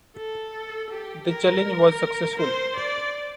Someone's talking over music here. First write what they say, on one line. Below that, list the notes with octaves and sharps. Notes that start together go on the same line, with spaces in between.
The challenge was successful.
A4
G4
A#4
C5
D5